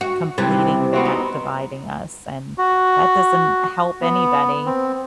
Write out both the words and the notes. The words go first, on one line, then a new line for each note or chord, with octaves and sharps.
completing that dividing us, and that doesn't help anybody.
F#4
C3 E3 G3 B4
B3 C4 F#4
D#4
F#4
B3
C4